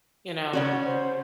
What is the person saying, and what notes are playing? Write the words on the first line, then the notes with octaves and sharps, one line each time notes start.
You know?
C#3 C#4 F#4 D5
C5